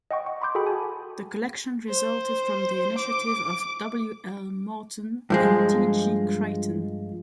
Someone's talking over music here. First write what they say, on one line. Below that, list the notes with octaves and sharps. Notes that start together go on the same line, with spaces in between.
The collection resulted from the initiative of W. L. Morton and D. G. Creighton.
D#5 F#5 G5 C#6
C#6
B5 C6 D6 G6
F#4 G#4 A4 F#5 G5 B5
G#5 A5
C5
D6
G2 F3 G#3